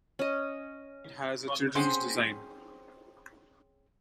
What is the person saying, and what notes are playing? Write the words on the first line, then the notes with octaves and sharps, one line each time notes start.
It has a children's design.
C#4 D#5
C4 C#4 G#4 C5 F#5